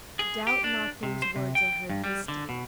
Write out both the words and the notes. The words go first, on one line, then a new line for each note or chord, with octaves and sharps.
Doubt not those words are heard this day.
G#4
G4
D4
C3
C5
C3
G5
G2
G3
D3
B2